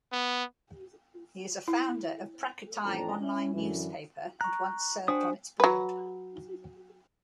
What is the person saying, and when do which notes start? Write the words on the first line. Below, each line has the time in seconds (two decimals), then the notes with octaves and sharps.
He is a founder of "Prachatai" online newspaper and once served on its board.
0.12 B3
1.68 E4
2.84 A1 F2 D4 G5 A#5
3.20 C#4 E4
3.54 F#2 D3 E3
4.41 A#5 C#6 F#6
5.08 D4 F#4 C5 G5 G#5 D#6
5.60 F#3 B4